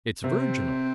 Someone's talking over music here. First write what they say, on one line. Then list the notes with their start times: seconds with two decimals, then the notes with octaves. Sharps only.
It's virginal.
0.24 C3 C4